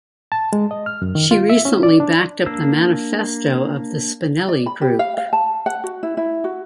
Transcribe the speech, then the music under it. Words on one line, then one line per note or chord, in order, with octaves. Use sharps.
She recently backed up the Manifesto of the Spinelli Group.
A5
G#3
D#5
F6
F#2
D#3
F4
E5
C#4
D5
D4
A#3 D4 E6
D5
B5
G4
F5
F5
A5
F#5
F#4
E4
E4
F#4